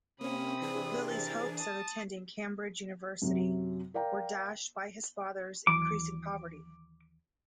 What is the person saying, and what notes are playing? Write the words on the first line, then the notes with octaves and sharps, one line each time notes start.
Lilly's hopes of attending Cambridge university were dashed by his father's increasing poverty.
C3 A#3 C4 C#4 C5 B5 D#6
E3 D4 G#4
A#4 A6
A5 D#6
F#2 C3 F#3
A#4 D5 F5 G5 A#5
D#2 E3 F#3 D6